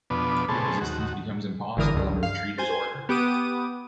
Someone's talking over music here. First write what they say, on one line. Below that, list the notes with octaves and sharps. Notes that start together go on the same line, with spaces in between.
Resistance becomes impossible and retreat is ordered.
F2 B2 B3 D4
B2 A3 C4 C#4 G#4 A4
D#2 F#4
G#1 D3 E3 A#4 D#6
C#2 G2
F5
C5 G#5
B3 G4 D6 D#6 D#7